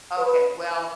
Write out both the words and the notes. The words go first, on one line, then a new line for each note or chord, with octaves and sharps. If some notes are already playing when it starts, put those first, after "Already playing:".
Okay. Well,
B4